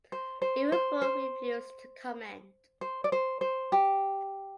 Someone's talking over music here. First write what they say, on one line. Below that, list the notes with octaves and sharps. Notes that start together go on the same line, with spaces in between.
Liverpool refused to comment.
C5
C5
C5
C5
C5
D5
C5
C5
G4